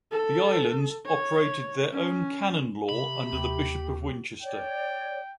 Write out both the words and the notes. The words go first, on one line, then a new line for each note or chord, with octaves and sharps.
The Islands operated their own Canon Law under the Bishop of Winchester.
A4
C#5
C#4
C3 B5
D#2 G4
C#5 D5 G5